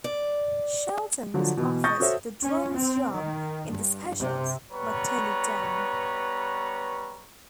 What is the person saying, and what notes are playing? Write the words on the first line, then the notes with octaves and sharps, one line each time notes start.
Shelton was offered the drummer's job in The Specials but turned it down.
D5
D3 F3 F#3
B2 E3
C#6 D#6 G6 A6 A#6
F#4 A4 C5 C#5 E5
C#4
C4
D#3
G2
C3
G3 B3 B4 C#5 A#5 C#6